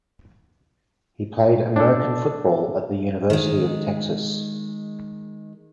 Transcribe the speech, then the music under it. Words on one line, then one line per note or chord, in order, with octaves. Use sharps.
He played American football at the University of Texas.
D4 A4
D#3 G#3